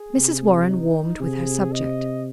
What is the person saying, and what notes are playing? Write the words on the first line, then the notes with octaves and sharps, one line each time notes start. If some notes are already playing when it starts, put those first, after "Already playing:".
Mrs. Warren warmed with her subject.
Already playing: G#4
C3
D#4
C3 G#4
D#5